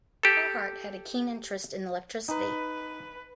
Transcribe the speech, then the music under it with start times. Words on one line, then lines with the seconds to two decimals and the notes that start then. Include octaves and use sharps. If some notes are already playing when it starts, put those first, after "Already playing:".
Carhart had a keen interest in electricity.
0.23 G4 A4
2.28 D#4 B4